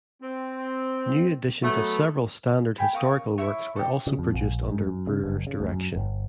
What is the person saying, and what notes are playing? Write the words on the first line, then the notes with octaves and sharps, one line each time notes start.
New editions of several standard historical works were also produced under Brewer's direction.
C4
F#3 A3 B3
G5 G#5 B5
A#4 F5 C#6 D#6
E4 C#5 E5 C#6
G4 A4
C#3
F2
A#1
G#2
F#2
C#3
F#1
C#3
D2
F#2
G1